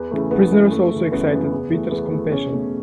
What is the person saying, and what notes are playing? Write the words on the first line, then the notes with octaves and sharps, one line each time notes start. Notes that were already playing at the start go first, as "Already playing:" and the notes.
Prisoners also excited Peter's compassion.
Already playing: E2 B4
C#3 E3 A3
E2 B3
C#3 E3 A3
F#2 A3
C#3 E3
F#2 B3
C#3 E3
E2
E3 A3
E2 B3
E3 A3
E2 C#4
B2 A3